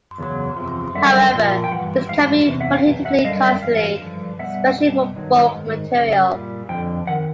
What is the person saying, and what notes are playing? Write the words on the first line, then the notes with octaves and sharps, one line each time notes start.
However, this can be prohibitively costly, especially for bulk material.
E2 C#3 F#3
E2 C3 F3
F#2 D3 G3 E5 F#5
A#2 F3
G5
G2 E3 F#5
G#2 E3 G3 F5
E2 C3
E5 F#5
F5 G5
E2 B2 F#3
E5 F#5
F#2 D3 G3 D#5 F5
D5 E5
G#2 E3 F5
G2 D3 F3
B2 G3 E5 F#5
B2 G3
G2 D#3 F#3
G#2 D#3
F#2 C#3
A#2 G3
F2 D3 F3 G5
D#3 F#5